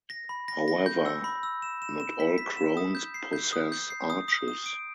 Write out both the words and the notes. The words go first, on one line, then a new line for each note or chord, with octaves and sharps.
However, not all crowns possess arches.
A#6
B5
A#6
A#6
G6
E6
B5
E6
E7
E7
E7
B6
B6
E7
D#6
G6
C7
G6
D#6
G6
C7
D#6
D#6
D#6
D7